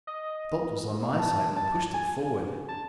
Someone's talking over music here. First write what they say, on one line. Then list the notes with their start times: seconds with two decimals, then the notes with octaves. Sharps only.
The bolt was on my side, and I pushed it forward.
0.07 D#5
1.19 A5
1.56 A5
1.94 G#5
2.68 A5